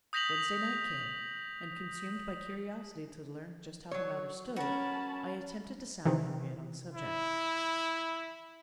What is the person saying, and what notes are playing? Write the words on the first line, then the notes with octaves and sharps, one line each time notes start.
Wednesday night came, and, consumed by curiosity to learn just how the matter stood, I attempted to sound Henriette on the subject.
D#6 G6 A#6 B6 F7 F#7
F#3 C#5
C#4 F#4 A#4 A5 B5
C3 D#3 E3
E4